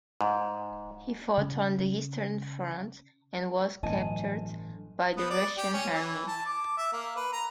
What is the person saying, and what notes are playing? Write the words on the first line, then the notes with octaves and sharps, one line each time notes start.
He fought on the Eastern front and was captured by the Russian army.
G#2
C#3 C#4
G1 A2 E3 F#3 D#5 G#5 A5
B3
D5
G4
C#4
E3
A5
D6
E5
A#3
B4
A#5